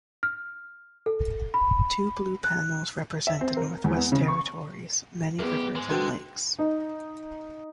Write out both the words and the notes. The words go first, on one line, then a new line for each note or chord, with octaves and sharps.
Two blue panels represent the Northwest Territories' many rivers and lakes.
F6
A4
B5
F#6
E5
C4
A#4
E2
B3
C#3
C#6
E2 B3 G4 G#4 B4
G#2 G#3
D3 G#3 C4 F4 F#4 B4
D#4